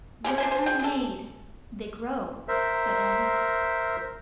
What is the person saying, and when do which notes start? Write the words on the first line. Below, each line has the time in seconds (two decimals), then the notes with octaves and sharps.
"Words aren't made--they grow," said Anne.
0.24 C#4 E4 G4 G#4
0.38 D4 C5 G#5
0.52 C5
0.66 G#4 G5
0.80 G#4 A4
2.48 A#4 C5 E5